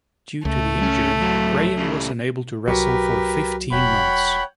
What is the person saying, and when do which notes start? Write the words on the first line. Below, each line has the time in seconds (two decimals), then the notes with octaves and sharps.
Due to the injury, Graham was unable to wrestle for fifteen months.
0.45 C#2 A3
0.82 C#4
1.20 A2 F#3
1.77 C#3 G3
2.68 C2 F#3 G4 A#4 B4
3.72 E1 C#5 F#5 G5 B5